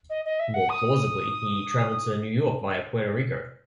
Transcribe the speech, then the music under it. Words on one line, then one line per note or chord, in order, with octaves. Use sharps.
More plausibly he travelled to New York via Puerto Rico.
D#5
D#5
E5
F#5
D#6